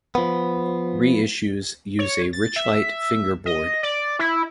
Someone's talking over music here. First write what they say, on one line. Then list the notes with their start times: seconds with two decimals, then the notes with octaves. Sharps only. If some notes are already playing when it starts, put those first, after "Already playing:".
Reissues use a richlite fingerboard.
0.15 F3 B3
1.99 C#5
2.33 A6
2.56 E5
3.46 D#5
3.83 D5
4.19 E4